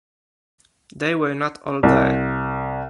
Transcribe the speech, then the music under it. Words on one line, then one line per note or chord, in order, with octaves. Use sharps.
They were not all there.
C2